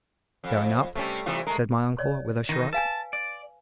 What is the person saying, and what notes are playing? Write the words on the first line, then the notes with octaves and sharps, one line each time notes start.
"Going up!" said my uncle, with a shrug.
F2
C3 G3 A3 C#4
C3 E3 F4
G#3 A3 A#4
C#5 D5
D#3 E3 D#4
B4 F5 G#5 A5
D5